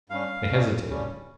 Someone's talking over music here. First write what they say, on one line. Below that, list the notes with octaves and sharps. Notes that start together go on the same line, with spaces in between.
They hesitated.
G2 G3 C#4 F5
G2 G3 C#4
G2 G3 C#4